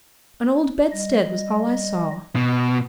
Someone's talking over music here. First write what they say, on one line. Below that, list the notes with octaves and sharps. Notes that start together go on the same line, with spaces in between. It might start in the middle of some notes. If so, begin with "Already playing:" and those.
An old bedstead was all I saw.
G3 D#5
B2